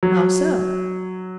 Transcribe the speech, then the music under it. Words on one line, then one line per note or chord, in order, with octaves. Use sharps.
"How so?"
F#3